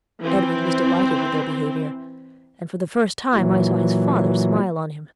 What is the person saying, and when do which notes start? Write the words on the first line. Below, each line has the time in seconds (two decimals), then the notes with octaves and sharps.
Edward was delighted with their behavior, and for the first time I saw his father smile on him.
0.20 E3 C4
3.35 A#2 E3 F#3